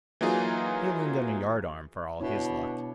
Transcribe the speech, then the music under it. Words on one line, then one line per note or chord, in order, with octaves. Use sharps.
He'll end on a yardarm for all his luck.
E3 F#3 A#3 D#4 F4 G#4
B2 D4 E4 C#5